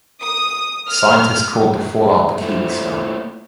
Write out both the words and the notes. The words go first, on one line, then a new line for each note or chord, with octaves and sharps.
The scientists called the fallout Bikini snow.
D#6
F6
A3 A#3 E4 F4 C5